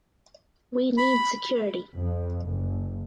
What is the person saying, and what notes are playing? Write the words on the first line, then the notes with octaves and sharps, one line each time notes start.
We need security.
B5
F2
F#1